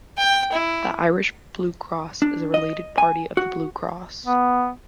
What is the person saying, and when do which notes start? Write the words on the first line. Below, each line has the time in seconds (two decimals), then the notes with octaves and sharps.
The Irish Blue Cross is a related party of Blue Cross.
0.18 G5
0.52 E4
2.22 D4
2.54 D#5
2.98 G#5
3.37 F#4
4.25 B3